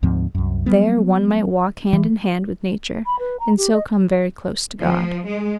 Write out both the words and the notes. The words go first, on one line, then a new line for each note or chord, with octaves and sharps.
There one might walk hand in hand with nature and so come very close to God.
D2 G#2 F3 C4
C2 F#2
F#3 G3 B3
E3
B5
B4
A#5
G4
D#5
F3
G#3